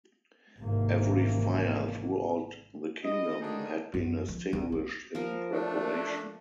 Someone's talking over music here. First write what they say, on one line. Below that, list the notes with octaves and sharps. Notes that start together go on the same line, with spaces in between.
Every fire throughout the kingdom had been extinguished in preparation.
G#1 G#2 C3 E3 A#3
E4 D#5
D3 D#3 D4 D#4 G#4
F#2
F3
E2
C4
F3 A#4
A3 D4